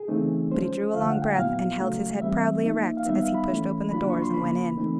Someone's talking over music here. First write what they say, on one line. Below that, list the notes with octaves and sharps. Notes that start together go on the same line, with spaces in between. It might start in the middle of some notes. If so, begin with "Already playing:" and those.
But he drew a long breath, and held his head proudly erect as he pushed open the doors and went in.
Already playing: G#4
C#3 E3 A3 C4 D#4
F3 G#3 C#4 C5
D3 F3 A3 F5
F#5
G5
A#2 F#3 B3 E4 F5
C#3 F#3 A3
E3 G3 C4 E5
F3 A#3 D#4
F5
D#3 G3 B3 D#4 E5
F5
B5
E3 A3 C#4 E4
C#3 F#3 A#3 D4 F4 B5
C#6
C6
C#3 F3 A#3 B5
E3 A3 C4 D#4